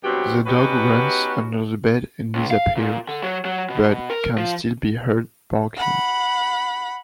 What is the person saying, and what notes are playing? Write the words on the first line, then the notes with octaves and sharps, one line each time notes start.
The dog runs under the bed and disappears, but can still be heard barking.
G2 B2 F#3 C4 F#4 G4
B3 C#4 D#4 F#4 G4 B4
C#2
F5
A#2
D3
F#3
F#3
B2
A#4
F3
F#5 B5